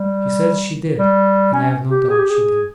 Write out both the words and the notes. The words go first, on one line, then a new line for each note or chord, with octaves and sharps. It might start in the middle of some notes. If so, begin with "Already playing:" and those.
She said she did, and I have no doubt she did.
Already playing: G3
G3
C#4
G4
G#4
G4
G#4